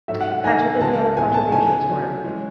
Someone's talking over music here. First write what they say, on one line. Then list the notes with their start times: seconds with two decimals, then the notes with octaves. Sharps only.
Had you any other contributions for him?
0.08 G#2 F#3 A3 E5
0.21 F#5
0.32 F#5
0.44 D#3 A3 D#4 A4 D#5 G#5
0.80 C#2 C#3 G#3 A5
1.17 A2 E3 B3 E4 G#5
1.34 A5
1.52 C#3 E3 A3 D#4 G#5
1.88 C#3 F#3 A3
2.24 E3 G#3 C#4